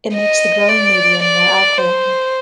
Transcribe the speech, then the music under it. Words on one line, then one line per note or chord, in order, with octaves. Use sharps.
It makes the growing medium more alkaline.
D#5
D5
D5
C5